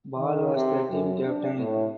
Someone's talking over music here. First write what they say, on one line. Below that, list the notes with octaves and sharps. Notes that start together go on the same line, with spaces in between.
Ball was the team captain.
D#3
C3
F#2
D4
A2